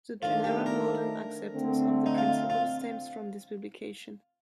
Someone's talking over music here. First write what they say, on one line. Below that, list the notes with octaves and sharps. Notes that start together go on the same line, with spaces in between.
The general modern acceptance of the principle stems from this publication.
D#3 A3 D4 F4 A4 C5
G4
A#4
D3 A3 C4
D#4
F4
F4